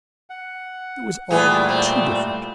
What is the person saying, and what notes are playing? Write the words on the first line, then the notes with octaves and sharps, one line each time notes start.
It was all too different.
F#5
A#2 E3 G3 A3 B3 G#4
C4